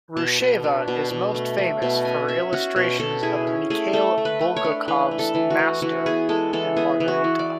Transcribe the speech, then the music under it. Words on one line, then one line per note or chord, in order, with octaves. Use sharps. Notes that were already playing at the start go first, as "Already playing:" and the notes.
Rusheva is most famous for her illustrations of Mikhail Bulgakov's Master and Margarita.
B2 A5
B2
D4
B2
B2
A3
A3
B2
C#4 G#5
C#4 E5
C#4 F#4
B2
B2 A4
E4 G#4
C#4
A3 G#4
A3 A4
A3
B4
A3
C#5
D4
E3 B4
A3
A4
E3
F#4
E3
E3 F#4
B3 G#4
G#3 A4
E3 A4
B3 G#4
E3
F#4
E3
D5